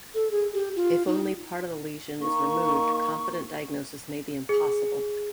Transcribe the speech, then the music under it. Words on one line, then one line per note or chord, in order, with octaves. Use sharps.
If only part of the lesion is removed, confident diagnosis may be impossible.
A4
G#4
G4
F4
D#4
A#3 D#4 C#6
G#4